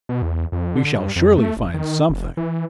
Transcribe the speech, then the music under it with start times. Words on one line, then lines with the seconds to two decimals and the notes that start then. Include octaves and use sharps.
We shall surely find something.
0.09 B2
0.22 E2
0.52 F2
0.76 D3
0.99 G2
1.16 F2
1.38 A3
1.57 G1
1.74 D#3
2.10 F1
2.37 E3